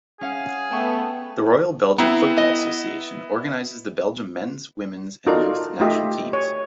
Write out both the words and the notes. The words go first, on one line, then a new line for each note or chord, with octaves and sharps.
The Royal Belgian Football Association organizes the Belgium men's, women's and youth national teams.
C#4 G#4 F5 F#5
A3 B3 G5 A5 C#6
B3 C4 E4 A#5
D#5
D#4 F4 F#4 A4 A#4 D5
A3 D#4 F4 G4 D#5 E5
C#5